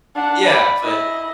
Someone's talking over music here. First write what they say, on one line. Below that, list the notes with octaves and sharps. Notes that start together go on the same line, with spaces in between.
Yeah, but
D4 F#5
D5 B5
E4 D#5